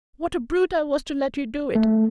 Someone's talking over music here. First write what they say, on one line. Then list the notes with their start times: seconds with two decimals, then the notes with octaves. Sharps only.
What a brute I was to let you do it!
1.75 A3